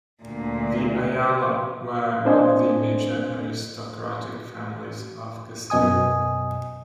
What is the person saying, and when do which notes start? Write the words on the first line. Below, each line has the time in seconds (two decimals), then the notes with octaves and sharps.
The Ayala were one of the major aristocratic families of Castile.
0.23 D2 A#2
2.25 C4 D4 C5 D#5 G#5
5.70 F#2 B2 D#5 G#5 D#6